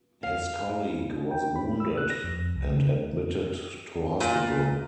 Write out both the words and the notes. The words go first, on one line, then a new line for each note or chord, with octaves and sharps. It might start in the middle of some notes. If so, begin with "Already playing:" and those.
His colleague was wounded and admitted to hospital.
F5
G5
B5
E6
F#6
A#6
F2
C2
C#3
A#2